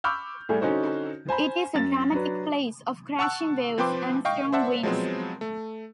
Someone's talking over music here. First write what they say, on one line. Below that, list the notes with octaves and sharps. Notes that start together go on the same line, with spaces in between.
It is a dramatic place of crashing waves and strong winds.
B5 C#6 D6 E6 F6 G6
A2 G3 A3 G#4
D3 C#4 D#4 F#4 C5
C5 G#5 A#5 B5
F#2 A6
F#3 D4 B4
F#5 A5 C#6 E6 F#6
F3 C4 B4 G5 C6 D6
D#5 F5 G5 C#6
C5 D5 E5 F#5 A5
F3 F#3 G#3 B3 C4
A3